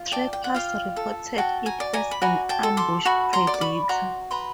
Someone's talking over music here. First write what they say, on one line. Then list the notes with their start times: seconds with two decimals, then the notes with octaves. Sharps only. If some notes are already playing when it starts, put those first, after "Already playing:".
Trappers reported it as an ambush predator.
Already playing: F4
0.12 D5 G5 A5
0.33 G5
0.44 F#5
0.54 F4 F5 G5
0.96 A4
1.38 F#4 G5 A5
1.66 G#5 A#5
1.80 D5
1.93 G#5 A#5
2.11 B5
2.21 F#4 G#5 A#5
2.49 G5 A5
2.63 A4
2.77 C6 D6
3.05 F#4 B5 C#6
3.33 A#5 C6
3.47 D5
3.54 D6
3.61 B5 C#6
3.89 F#4 A#5 C6
4.31 B4 A#5 C6